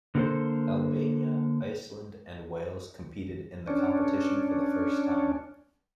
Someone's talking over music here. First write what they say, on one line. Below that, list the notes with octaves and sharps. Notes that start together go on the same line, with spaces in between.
Albania, Iceland and Wales competed in the competition for the first time.
D3 A#3 C4 F#4 A4 C5
C#4 D4